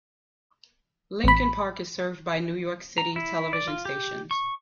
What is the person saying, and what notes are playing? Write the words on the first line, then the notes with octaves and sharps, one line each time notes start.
Lincoln Park is served by New York City television stations.
A1 B5
A#5
E4
D5
F4
G4
C#6